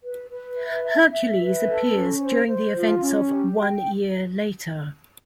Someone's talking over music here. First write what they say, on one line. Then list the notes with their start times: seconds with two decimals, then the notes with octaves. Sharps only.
Hercules appears during the events of "One Year Later".
0.03 B4
0.30 B4
0.57 E5
0.85 E5
1.12 E5
1.38 B4
1.66 A4
1.92 C#4
2.20 C5
2.47 C5
2.74 F4
3.01 C#4
3.28 G4
3.55 G5